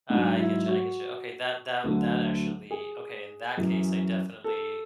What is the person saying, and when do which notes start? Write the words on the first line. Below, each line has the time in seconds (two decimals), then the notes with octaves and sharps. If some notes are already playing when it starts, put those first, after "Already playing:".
I get you I get you, okay, that that that actually okay, in that case, I definitely
0.10 G#2 F#3 D4
0.39 E4
0.68 F#4
1.84 D2 D3 F#3
2.71 G#4
3.57 F#2 E3
4.44 A4